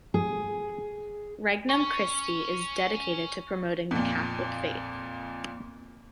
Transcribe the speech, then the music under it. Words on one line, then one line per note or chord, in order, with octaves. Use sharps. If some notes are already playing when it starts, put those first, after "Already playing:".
Regnum Christi is dedicated to promoting the Catholic faith.
G#4
C#4 C#6
F2 A#2